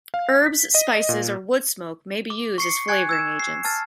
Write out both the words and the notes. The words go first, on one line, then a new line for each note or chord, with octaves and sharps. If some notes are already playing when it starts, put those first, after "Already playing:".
Herbs, spices, or wood smoke may be used as flavoring agents.
F5
B6
D#5
A#2
D6
C#6 C7 C#7
G#5 F#6 G#6 C#7
E6 G#6 E7
C7
A5 F6 A6